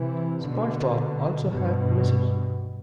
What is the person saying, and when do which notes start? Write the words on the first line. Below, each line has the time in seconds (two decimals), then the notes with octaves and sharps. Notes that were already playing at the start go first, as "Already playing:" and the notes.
SpongeBob also helps Mrs.
Already playing: C3 E3
0.45 B2 D3
1.50 G2 B2